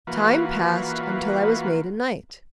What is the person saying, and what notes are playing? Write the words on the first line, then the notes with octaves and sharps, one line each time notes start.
Time passed until I was made a knight.
E3 A#3 F4 F#4 B4